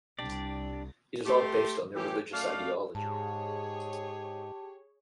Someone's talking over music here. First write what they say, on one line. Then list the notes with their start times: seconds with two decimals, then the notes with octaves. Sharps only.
It is all based on their religious ideology.
0.19 C2 D4 G4 D5
1.26 A3 G4 C6
1.96 A2 E3 G4
2.33 F#2 A3 D5 F5
2.95 G#2 G4 G#4 C#5 A5